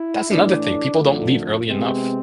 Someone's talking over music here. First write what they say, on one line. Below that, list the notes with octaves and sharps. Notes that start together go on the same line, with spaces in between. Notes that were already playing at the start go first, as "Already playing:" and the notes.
That's another thing, people don't leave early enough,
Already playing: E4
A2 E3 A3 D4
F2 D3 A3
C3 G#3 B3 C4